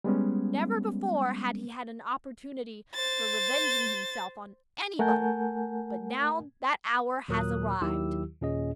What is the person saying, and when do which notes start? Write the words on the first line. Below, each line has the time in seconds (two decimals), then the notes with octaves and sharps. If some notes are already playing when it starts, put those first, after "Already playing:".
Never before had he had an opportunity for revenging himself on anybody, but now that hour had arrived.
0.04 G3 G#3 B3 C#4
2.95 C5 A6
4.99 A3 A#4 F#5 G#5 A5 G6
7.28 D#2 A#2 F#3 A#4 D#6 F#6
7.82 D#2 D#3 F#3 E4 G4 E6
8.41 D#2 A#2 C#4 G#4 D#5